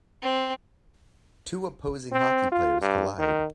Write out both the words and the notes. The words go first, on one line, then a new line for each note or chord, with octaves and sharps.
Two opposing hockey players collide.
C4
C4
F4
G2
D#3